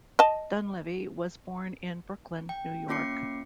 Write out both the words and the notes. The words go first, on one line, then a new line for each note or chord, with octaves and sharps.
Dunleavy was born in Brooklyn, New York.
D#5 A5
G5
A#3 C#4 F4 D6 C7 C#7